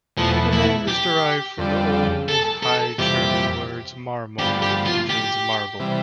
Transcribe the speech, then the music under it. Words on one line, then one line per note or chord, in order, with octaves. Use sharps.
The name is derived from the Old High German word 'marmul', which means 'marble'.
E2 B2 F3 A3
E4
G4
F2 D3 G3
A4
A4
F2 C3 E3 G3 G4
G2 D3 F3 B3 G4
G4
F4
G4
C3 E3 G3